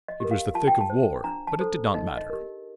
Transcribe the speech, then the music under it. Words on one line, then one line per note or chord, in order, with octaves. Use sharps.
It was the thick of war. But it did not matter.
D#5
G4 A#4
F5
F4 A5
G5
A5
C5
D4 A#5
A5
A4 C5
D#4 D#5
D#5
G4 A#4